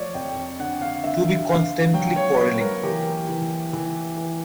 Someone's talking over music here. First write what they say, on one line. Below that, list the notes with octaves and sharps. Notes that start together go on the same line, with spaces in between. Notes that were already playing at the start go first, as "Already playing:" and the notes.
To be constantly quarrelling.
Already playing: F3 A3 C#5 D5
F2 G5
D3 F#5
F5
D3 E5
D3 F5
F#3 G5
C#5
A#3 B4
A#4
E3 G4
E3
E3
E3